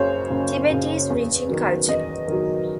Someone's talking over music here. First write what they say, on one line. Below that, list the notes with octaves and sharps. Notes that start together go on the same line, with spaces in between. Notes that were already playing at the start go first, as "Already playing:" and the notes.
Tibet is rich in culture.
Already playing: F#1 F#2 C#3 C5 C#5
F#1
F#2 C#3
E2
D#3 F#3
E2 D#5
D#3 F#3